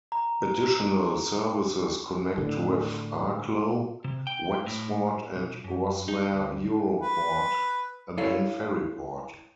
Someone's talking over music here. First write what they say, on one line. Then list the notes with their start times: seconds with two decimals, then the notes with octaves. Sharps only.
Additional services connect with Arklow, Wexford and Rosslare Europort, a main ferry port.
0.12 A#5
2.38 A2 D3
4.04 C3
4.27 G5
4.66 A2
5.36 B1
5.64 F#2
6.08 D#4
6.34 D2
7.00 B4
8.18 E4 A4 C#5 F5